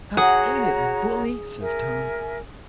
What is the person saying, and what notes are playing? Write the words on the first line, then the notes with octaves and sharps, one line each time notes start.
"Huck, ain't it bully!" says Tom.
F#4 G#4 C#5 F#5 A#5
A#4 E5 G#5